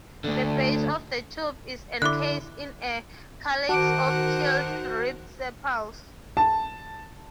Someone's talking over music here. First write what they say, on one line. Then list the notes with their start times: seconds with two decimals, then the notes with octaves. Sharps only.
The base of the tube is encased in a calyx of keeled, ribbed sepals.
0.24 D2 D3
2.02 D3 E4 D6 F#6
3.69 D#3 F#4 A#4 C5 F#5 A5 D6 D7
6.37 A5